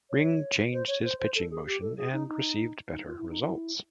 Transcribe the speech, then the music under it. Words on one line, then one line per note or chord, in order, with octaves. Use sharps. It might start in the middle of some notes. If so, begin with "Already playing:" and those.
Ring changed his pitching motion and received better results.
C#5
C5
C#5
C5
C5
A4
G#4
G4
A4
G#4
D#4
D#4
D#4
F4
E4
D#4
E4